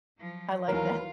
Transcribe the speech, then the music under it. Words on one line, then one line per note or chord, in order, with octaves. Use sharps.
I like that.
F3 F#3
D#2 E3 F#3 E4 F4 A#4